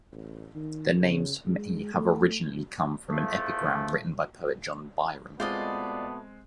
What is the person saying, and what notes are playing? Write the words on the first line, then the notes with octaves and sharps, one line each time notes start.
Their names may have originally come from an epigram written by poet John Byrom.
A1
D#3
C#3
G#3
A3
E2 F3 A3
B2 G#3 A3 B3 C4 F4 D5 D#5